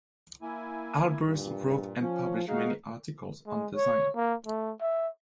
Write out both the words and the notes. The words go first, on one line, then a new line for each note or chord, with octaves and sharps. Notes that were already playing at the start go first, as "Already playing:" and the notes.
Albers wrote and published many articles on design.
A#3 E4 G#5
G2 A#2
F3 C#4
G#3 D#4 F#4 F5
G#3
C#5
A#3
A3
E5